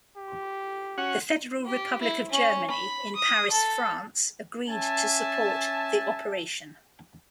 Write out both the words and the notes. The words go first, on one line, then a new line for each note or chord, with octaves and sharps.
The Federal Republic of Germany in Paris, France, agreed to support the operation.
G4
C#4 F#4 F#5
G4
E4
C#4
B5
D#6
A4
C#4 E5 G#5 A5